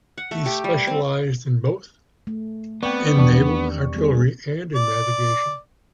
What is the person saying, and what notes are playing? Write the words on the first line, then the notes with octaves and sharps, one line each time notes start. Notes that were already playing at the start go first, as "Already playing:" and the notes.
He specialized in both in naval artillery and in navigation.
F#5
A3
G4
G3
C4
A3
B3 C4 D5 G5 C#6
E2 D#3 D4 G4 C#6
G3 B3 G#4
D5